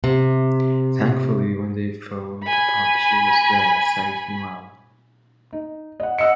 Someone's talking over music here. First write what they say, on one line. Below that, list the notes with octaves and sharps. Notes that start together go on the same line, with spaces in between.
Thankfully when they phoned the pub she was there safe and well.
C3
G#5 B5
D#4
D#5 F#5
D#5 F#5 E6 C#7